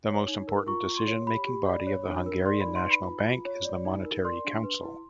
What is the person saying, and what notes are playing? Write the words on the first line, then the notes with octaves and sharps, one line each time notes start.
The most important decision-making body of the Hungarian National Bank is the Monetary Council.
C#5
D#4
A#4
F4 C#6
F4
C6
C#5
G4 B5
G4
D5
C#5
D4
A#4
D5 C6
B5
D#4
C6
B4
B5
F4
F4
C#5
D5
D#4
A#4
D5 C6
D4
B4
E4